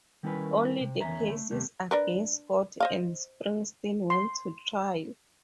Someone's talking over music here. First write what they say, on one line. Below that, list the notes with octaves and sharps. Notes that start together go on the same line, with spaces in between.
Only the cases against Scott and Springsteen went to trial.
D#3 G3 C#4 E4 A#4 B4
C3
E2 C#4 E5 A#5
A3
D#2 C3 G3 A3
D4 A#4 B4
C5 D#5 F5
C6